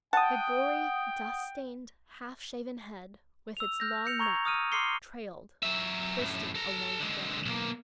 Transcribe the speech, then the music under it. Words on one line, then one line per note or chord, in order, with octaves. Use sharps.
The gory, dust-stained, half-shaven head with its long neck trailed twisting along the ground.
F#5 G5 A5 D#6
E6 F7
F6 G6 A#6
G6 C#7 F7
A#5 C#6 G#6 F7
D#6 F6 D#7
C6 D6 F6 C7 C#7 G7
F#3 E5
F#2 A2
A4 A#5
D3 G#3
B1 A#3